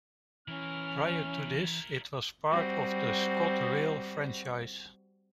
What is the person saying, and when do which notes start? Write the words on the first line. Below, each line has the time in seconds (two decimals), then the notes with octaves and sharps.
Prior to this it was part of the ScotRail franchise.
0.48 E3 C#4 E4 A#4 F6
2.51 G3 C4 F#4